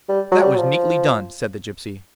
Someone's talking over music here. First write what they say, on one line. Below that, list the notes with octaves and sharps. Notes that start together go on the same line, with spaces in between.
'That was neatly done,' said the gypsy.
G3
F#3
G3
F#3
F3